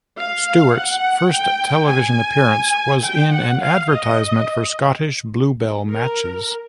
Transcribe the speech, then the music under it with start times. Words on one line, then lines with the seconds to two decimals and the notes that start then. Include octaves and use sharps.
Stewart's first television appearance was in an advertisement for Scottish "Bluebell" matches.
0.18 F5
0.75 F#5
1.32 G5
1.89 G#5
3.04 G5
3.33 F#5
3.62 F5
3.90 D#5
5.90 A#4